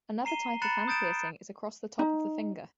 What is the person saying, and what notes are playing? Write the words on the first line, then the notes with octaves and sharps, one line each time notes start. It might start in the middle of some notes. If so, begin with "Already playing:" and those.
Another type of hand piercing is across the top of the finger.
A#5 C7 D#7 G7
A#5 B5 F#6 A6 C#7 E7
D#6 G6 A6 D7 E7
D#4